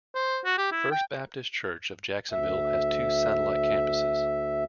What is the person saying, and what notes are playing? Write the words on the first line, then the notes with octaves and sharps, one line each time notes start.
First Baptist Church of Jacksonville has two satellite campuses.
C5
F#4
G4
E4
G5
D2 E5